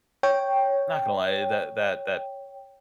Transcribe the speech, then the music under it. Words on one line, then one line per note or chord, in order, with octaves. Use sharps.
Not gonna lie, that that that
C#5 G5